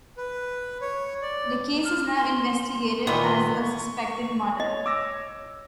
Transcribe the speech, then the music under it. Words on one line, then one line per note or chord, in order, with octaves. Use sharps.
The case is now investigated as a suspected murder.
B4
C#5
D5
F6
C6
A#2 D#3 E3 B3 C6
C#6
C#5 D#5
D6 E6 A#6